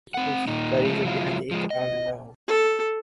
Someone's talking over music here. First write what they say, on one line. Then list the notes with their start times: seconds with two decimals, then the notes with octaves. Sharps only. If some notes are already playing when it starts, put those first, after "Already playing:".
The reasons behind it are unknown.
0.14 C4 F#5
0.47 A#2 D#3 D#4
0.85 F3 G#3 A3
1.05 F3 F#3 G#3 E4 F4
1.51 F3 G#3
1.70 D#5
2.48 A4